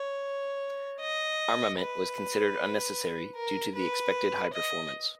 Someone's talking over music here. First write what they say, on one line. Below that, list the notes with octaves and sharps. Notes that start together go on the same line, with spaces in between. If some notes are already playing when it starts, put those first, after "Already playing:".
Armament was considered unnecessary due to the expected high performance.
Already playing: C#5
D#5
B4
A#4
B4
D#5